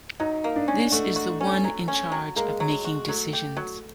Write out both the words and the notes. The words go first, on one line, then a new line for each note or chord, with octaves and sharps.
This is the one in charge of making decisions.
F#3 D#4
A#3
D4
C#4
A3 F#4
F#4
C#4
F#3
C#4
F#3
G#3 A#3
F#3
F#4
F#3 A3
G4
F#3